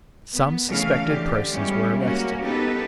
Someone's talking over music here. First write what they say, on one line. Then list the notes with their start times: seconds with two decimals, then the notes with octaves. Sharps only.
Some suspected persons were arrested.
0.34 B3
0.68 C#3 E3 A3 F5
1.06 D3 G4
1.51 G3 G#3 B3 C#4 E4 G4
1.98 A#3 C#4 F#4
2.42 B3 D#4 G4 A4 B4